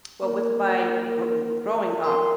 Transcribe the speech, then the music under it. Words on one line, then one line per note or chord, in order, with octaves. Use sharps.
Well, with my gro growing up,
A#3 A#4
F2 A#4 C6